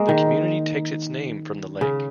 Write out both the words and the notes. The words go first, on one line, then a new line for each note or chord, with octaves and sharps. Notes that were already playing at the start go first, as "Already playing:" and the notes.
The community takes its name from the lake.
Already playing: G#3 A#3
D#3
C#3